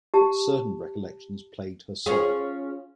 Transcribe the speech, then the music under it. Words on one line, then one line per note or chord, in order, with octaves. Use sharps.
But certain recollections plagued her soul.
G4 A5
C#4 F4 G#4